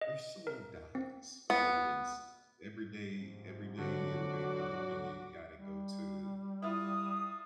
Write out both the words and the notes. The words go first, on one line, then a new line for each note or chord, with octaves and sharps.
your soul dies a little inside every day every day you wake up and you gotta go to
D#5
A#4
C4
B3
G#2 C3 F3
D3 F#3 F#4 D6
G3
E4 F4 D#6